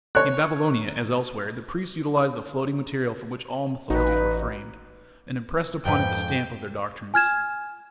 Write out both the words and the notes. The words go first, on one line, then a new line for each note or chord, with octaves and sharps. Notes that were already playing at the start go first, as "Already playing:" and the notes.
In Babylonia, as elsewhere, the priests utilized the floating material from which all mythologies were framed, and impressed upon it the stamp of their doctrines.
C#5 F#6
A1 D#4 F#4 B4
F2 G#2 B4 G5
G#5 F6 G#6 E7